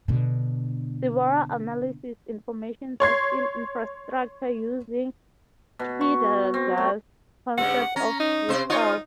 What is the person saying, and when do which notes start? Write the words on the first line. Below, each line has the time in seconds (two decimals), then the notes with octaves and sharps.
Ciborra analyses Information System infrastructure using Heidegger's concept of Gestell.
0.08 B2 D3
3.00 C#5 C6 G#6 C7
5.79 B2
6.01 C#6
6.54 C4
6.78 A3
7.58 G2 C#3 F#5
7.96 C#4 A#5
8.20 D#4
8.49 C3 C5
8.70 D#4 F4 C#5